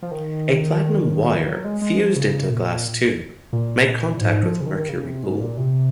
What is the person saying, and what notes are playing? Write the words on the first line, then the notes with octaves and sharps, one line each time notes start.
A platinum wire, fused into the glass tube, made contact with the mercury pool.
F3
D#3
F#3
G#3
G#3
F3
C#3
A#2
A#2
A#2
G#2
F3
C#3
D#3
C#3
C3
G#2
A#2
C3